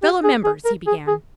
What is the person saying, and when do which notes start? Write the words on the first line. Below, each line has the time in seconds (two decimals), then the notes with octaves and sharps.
"Fellow members," he began.
0.03 G4
0.24 G#4
0.44 G#4
0.65 A#4
0.87 G#4
1.08 G#4